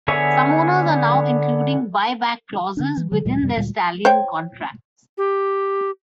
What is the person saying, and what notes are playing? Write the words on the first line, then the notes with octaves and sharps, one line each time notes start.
Some owners are now including buy-back clauses within their stallion contracts.
D3 B3 G#4 C#5 E5
D3 D4
E3
D3 F#3
D2 A#2 F#3 G#3
F#2 C3 G3
D2 A#2 G3 G#3
C5 C#5 G5
G4